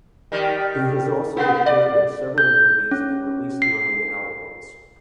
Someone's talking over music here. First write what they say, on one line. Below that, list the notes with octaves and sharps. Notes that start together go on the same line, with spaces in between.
He has also appeared in several movies and released nine albums.
D#3 G3
A#3 B3
D5
G6
C#4
C7